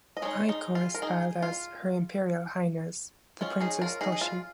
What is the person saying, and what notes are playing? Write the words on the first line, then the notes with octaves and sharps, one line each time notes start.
Aiko is styled as "Her Imperial Highness" The Princess Toshi.
D#5
G#3 D#4 G#4 C#5
D#4
F4
A#4
D#4 G#4
F4
G#3 C#4 F4
D#4 G#4
F4 A#4
D#4 G#4
G#4
F4